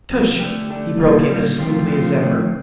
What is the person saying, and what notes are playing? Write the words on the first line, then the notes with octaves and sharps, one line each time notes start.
"Tush," he broke in as smoothly as ever.
F2 C3 F3 A#3
D3 A3 D4 G4
D3 A3 D4 G4
A#2 G3 A#3 F4
A#2 G3 A#3 F4
D3 F3 A3 C4 F4
D3 F3 A3 C4 F4
A2 F3 A3 C4